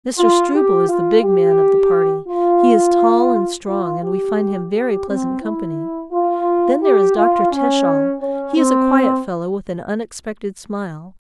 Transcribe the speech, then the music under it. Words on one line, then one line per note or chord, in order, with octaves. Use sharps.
Mr. Struble is the big man of the party; he is tall and strong and we find him very pleasant company. Then there is Dr. Teschall; he is a quiet fellow with an unexpected smile.
F4
G4
F4
G4
F4
F4
G4
G4
C4
E4
F4
G4
F4
C#4
C#4
C4